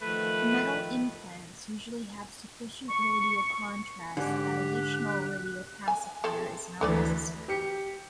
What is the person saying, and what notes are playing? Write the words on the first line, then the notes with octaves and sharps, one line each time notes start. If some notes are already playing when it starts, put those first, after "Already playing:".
Metal implants usually have sufficient radiocontrast that additional radiopacifier is not necessary.
D#3 F3 A3 B4
C#6
G#2 D3 G4 F#6
G#5
C4 G#4 A4
D2 E3 A4 B4 D5
G4 C#7